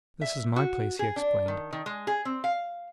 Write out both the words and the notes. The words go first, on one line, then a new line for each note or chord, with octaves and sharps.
"This is my place," he explained.
E5
F#4
G#4
D4
D#3
D#3
G#3
G#4
C4
F5